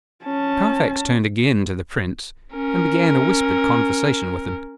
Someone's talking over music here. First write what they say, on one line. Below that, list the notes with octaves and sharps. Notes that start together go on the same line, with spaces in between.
Carfax turned again to the Prince, and began a whispered conversation with him.
C#4 A5
C#4 A#4